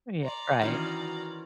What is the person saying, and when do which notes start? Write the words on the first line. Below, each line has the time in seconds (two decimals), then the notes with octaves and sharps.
Oh yeah, right.
0.23 D5 A#5 C6
0.62 D#3 E3 C#4 F#4